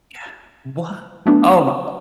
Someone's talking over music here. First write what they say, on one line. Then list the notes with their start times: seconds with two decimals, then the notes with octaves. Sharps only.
Yeah, what? Oh, my, uh
1.26 F#3 A3 B3 D4